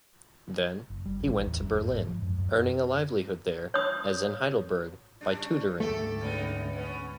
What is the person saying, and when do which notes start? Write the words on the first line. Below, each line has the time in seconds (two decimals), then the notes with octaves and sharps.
Then, he went to Berlin, earning a livelihood there, as in Heidelberg, by tutoring.
0.90 F#1
1.06 G3
1.20 A1
1.33 A1
1.46 E2
1.62 F1
1.79 G#2
1.94 G#2
2.08 F3
2.22 F#2
2.38 F#2
3.74 C#5 D#6
5.21 C#3 G3 D4
5.80 D2 G#2 A3 G4 A4
6.21 C#3 B3 D#4
6.73 B3 C#4